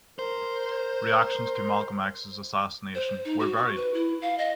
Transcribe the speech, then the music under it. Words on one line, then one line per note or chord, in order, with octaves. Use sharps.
Reactions to MalcolmX's assassination were varied.
A#4 C5
C5
D#4
F#4
C#6
B4
E4
F5
D#5